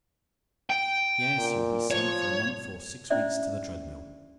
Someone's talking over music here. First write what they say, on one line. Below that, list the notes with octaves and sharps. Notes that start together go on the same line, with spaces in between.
Yes, you'll be sent for a month or six weeks to the treadmill.
G5
A#2
F3 C#5
C#4 D4 E4 C5 D5 E5